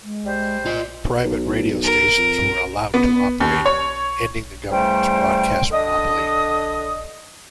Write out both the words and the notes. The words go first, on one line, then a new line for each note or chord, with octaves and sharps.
Private radio stations were allowed to operate, ending the government's broadcast monopoly.
G#3
G3 C5
F4 D5 D#5
B1
A#4
F2
B3
D#2
C#5
C#3 E3 G3 A3 C5 G5
D3 D#5 D#6